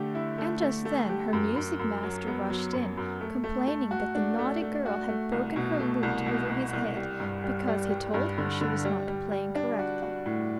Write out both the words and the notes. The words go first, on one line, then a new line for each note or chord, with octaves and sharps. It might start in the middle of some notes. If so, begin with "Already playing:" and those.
And just then her music master rushed in, complaining that the naughty girl had broken her lute over his head, because he told her she was not playing correctly.
Already playing: D3 A3 G4
E4
A3
A3
A3
G4
F#2
F#2
F#2
F#3
B3
F#3
F#2
F#2
A3
A3
A3
F#4
D4
A3
A3
F#4
A3
C2
B2
A3
C2
B2
B2
C2
G3
G2
G3
G3
G3
G2
D3
D3
G3
G3
G3
D4
F#4
F#4
A2